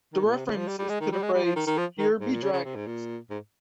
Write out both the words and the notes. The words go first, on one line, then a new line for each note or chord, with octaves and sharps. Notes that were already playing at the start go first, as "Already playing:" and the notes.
The reference is to the phrase "Here be dragons".
D#3
A#2
C3
C#3
F3
G3
G3
G#3
D#3
G3
G#3
G3
F3
D#3
D#3
F3
D#3
G#2
A#2
C#3
C#3
C3
G#2
A#2
G#2